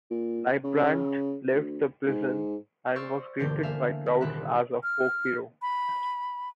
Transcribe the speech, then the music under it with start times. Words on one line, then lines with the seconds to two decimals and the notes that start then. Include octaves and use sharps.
Leibbrandt left the prison and was greeted by crowds as a "folk hero".
0.11 A#2
0.64 C#3
1.53 D2
2.07 G#2
2.95 C5 D5 C6 C#6 E6 F6
3.39 E1 G2 D3 A#3 G4 G6
3.63 A3 A#3 E5 F5 G#5
4.06 D3 G#3 F#4
4.21 D#1 C2 G4 E5 B5 F#6
4.83 F6
5.62 B5